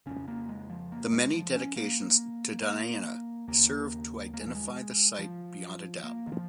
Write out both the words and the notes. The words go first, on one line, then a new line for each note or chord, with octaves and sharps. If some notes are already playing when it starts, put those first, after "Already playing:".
The many dedications to Diana serve to identify the site beyond a doubt.
F2 C#3 C#4
A#3
G#3
F3
A#3
G#3
F3
C#4
A#3
A#3
D#2 C#3 A#3
A#3
G#3
F3
G#3
F3
A#3
D#3
F3